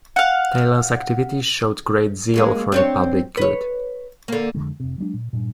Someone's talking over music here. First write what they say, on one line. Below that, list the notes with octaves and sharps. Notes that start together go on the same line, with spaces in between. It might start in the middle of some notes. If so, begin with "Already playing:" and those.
Talon's activity showed great zeal for the public good.
F5 F#5
F#2 G#3 A#3
C4 D4 C#5
B4 C#5
D3 A#3
F2 D3 G#3
F1 C3
F#3 G#3 B3 D4
A#2
G2 A#2